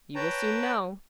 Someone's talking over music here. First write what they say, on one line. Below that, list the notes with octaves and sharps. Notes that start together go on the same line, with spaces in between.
"You will soon know."
B4 C#5 G5 A5 A#5